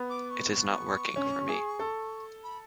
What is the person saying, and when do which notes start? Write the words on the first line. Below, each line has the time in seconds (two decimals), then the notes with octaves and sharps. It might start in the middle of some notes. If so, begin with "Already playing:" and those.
It is not working for me.
Already playing: B3
0.10 D6
0.30 C#6
0.52 C#6
1.16 C#4
1.48 G#4
1.79 A4
2.43 B5